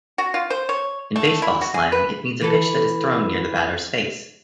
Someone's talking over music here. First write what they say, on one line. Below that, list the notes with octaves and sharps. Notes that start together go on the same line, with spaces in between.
In baseball slang, it means a pitch that is thrown near the batter's face.
F#4
F4
C5
C#5
A3
E4
F#4
G#4
B4
E3 A4